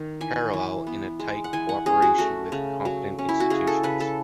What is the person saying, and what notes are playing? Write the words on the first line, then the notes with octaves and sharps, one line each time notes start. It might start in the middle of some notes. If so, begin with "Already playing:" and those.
Parallel in a tight cooperation with the competent institutions.
Already playing: D#3
E3 G#5
E3
B3
G#3
F#5
E3 G#5
F#5
C#4 G#4
F#4
A3 F#4
C#3
F#3
C#4
E4
F#4
C#3 G#4
A4
C#3 B4
A4